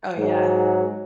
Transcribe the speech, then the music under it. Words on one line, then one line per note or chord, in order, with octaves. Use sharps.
Oh, yeah.
G#2 F#3